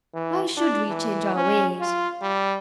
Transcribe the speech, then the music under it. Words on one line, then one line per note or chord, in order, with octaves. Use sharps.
Why should we change our ways?
E3
D4
E3
C#4
F4
G3